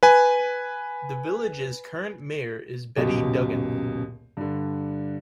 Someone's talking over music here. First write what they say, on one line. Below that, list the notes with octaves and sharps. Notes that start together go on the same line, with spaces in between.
The village's current mayor is Betty Duggan.
B4 G#5
D#1 C#2 F#2 B2 G4 D#5
G2 D3